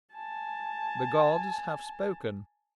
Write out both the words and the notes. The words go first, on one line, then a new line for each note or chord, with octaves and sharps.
The gods have spoken.
G#5 A5